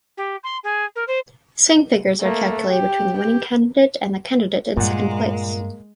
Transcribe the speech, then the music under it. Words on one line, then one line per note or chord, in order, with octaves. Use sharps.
Swing figures are calculated between the winning candidate and the candidate in second place.
G4
C6
G#4
A#4
C5
A3 A#3
G4
G4 G5
G2 A#2 G#3 A#3 F#5